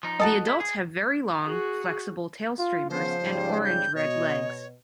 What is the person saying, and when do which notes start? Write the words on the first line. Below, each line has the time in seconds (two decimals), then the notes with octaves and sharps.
The adults have very long, flexible tail streamers and orange-red legs.
0.03 F3 D#4
0.20 F#4 A4 D#5
0.47 E4
0.60 G#4
1.45 F#4 G#4
2.58 F4
2.90 C#3 F3 B3 C5
3.22 G#2 C#3 G3
3.64 G6
3.96 B2 C#5 D#5